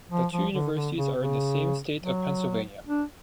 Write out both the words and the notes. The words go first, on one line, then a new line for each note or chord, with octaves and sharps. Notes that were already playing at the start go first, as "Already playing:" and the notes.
The two universities are in the same state of Pennsylvania.
F3
F3
D3
D3
C#3
C#3
F#3
D4